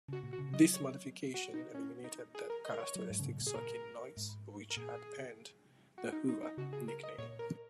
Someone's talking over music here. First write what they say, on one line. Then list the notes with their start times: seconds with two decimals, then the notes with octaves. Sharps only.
This modification eliminated the characteristic "sucking" noise which had earned the "Hoover" nickname.
0.09 C#3 F#4
0.23 A#2
0.33 F#4
0.39 C#3
0.53 F#3 D#5
0.74 C#5
1.34 F#4
1.54 D#4
1.74 C#4
2.04 D#4
2.35 G#4
2.50 A#4
2.65 D#5
2.74 A#4
2.80 C#5
2.96 F#3
3.10 G#2
3.20 C#3
3.26 A#2
3.41 A#2
3.47 G#4
3.55 A#2 A#4
4.17 G#2
4.70 A#4
4.77 A#2 G#4
5.98 F#4
6.12 D#4
6.29 D#4
6.43 D#4
6.58 C#3 F#4
6.73 G#4
6.88 A#4
7.03 D#5
7.18 A#2 C#5
7.39 A#4